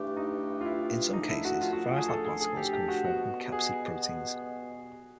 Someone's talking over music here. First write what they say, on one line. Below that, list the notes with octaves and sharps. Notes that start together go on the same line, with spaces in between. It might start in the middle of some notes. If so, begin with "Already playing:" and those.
In some cases, virus-like particles can be formed from capsid proteins.
Already playing: G2 E3 A3 D4 G4
D#4
F4
E4
F#2 D3 F3 A3 D4 D#4
E4
F#4
F4
F#4
G#4
A4
G#4
G#4
G4
G4
F#4
B2 G3 B3 F#4
G#4